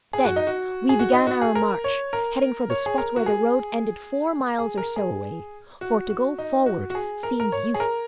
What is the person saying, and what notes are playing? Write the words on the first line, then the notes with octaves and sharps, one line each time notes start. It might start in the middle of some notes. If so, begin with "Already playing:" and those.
Then we began our march, heading for the spot where the road ended four miles or so away, for to go forward seemed useless.
G#4
F#4
D#4
F#4
G#4
F#4
D#4
F#4
G#4
A#4
C#5
A#4
C#5
G#4
A#4
F#4
G#4
G#4
A#4
G#4
F#4
F#4
D#4
F#4
F#4
G#4
A#4
A#4
C#5
G#4
A#4